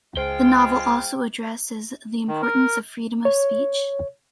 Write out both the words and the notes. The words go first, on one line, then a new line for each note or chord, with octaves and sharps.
The novel also addresses the importance of freedom of speech.
C#2 G#3 F4 C5 G5
D#3
A#4
C#5